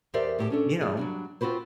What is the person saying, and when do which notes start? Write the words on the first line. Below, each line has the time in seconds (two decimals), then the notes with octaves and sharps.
you know,
0.14 E2 G4 A#4 C5 D5 E5
0.39 A2 G4 A5
0.50 C#4 D4 A4
0.81 G#4 D5 F5
0.97 F#3 G3 D4
1.41 C4 F4 F#4 B4 C5